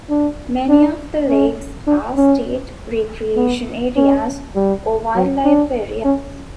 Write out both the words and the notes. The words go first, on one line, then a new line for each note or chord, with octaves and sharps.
Many of the lakes are state recreation areas or wildlife areas.
D4
D4
C#4
D4
C#4
B3
C#4
G3
F#3
D4
C#4